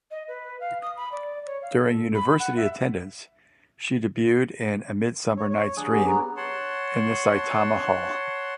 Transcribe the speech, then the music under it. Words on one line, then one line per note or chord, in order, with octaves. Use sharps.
During university attendance, she debuted in "A Midsummer Night's Dream" in the Saitama Hall.
D#5
B4
F5
D#6
B5
D5
C#5
F5
A4
B5
F#5
E5
C#5
C#5
F#3 D4 G#4
B3 D4 F#4 G4
A#5
C#5 F#5 A5 C6